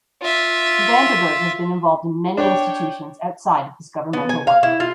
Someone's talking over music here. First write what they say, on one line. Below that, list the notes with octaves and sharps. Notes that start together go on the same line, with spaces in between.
Van der Burg has been involved in many institutions outside of his governmental work.
F4 E5
D4 C#5 G5
B3
G#5
F5
E4
F4